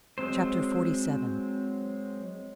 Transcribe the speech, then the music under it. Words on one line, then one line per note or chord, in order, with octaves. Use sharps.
Chapter XLVII.
F#3 G#3 C4 C5